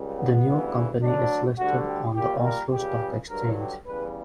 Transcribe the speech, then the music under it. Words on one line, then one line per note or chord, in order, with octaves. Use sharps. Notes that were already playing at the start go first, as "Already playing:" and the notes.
The new company is listed on the Oslo Stock Exchange.
Already playing: C#2 C#3 G3
B3
D2 C#3 E3 G3
D2 D3 F#3 D4
D2 D3 G3 F#4
G4
A#2 G3 G4
A#4
C#2 C#3 G3 G4
G2 D3 F#3 A#4
G4
E2 C#3 G3 B4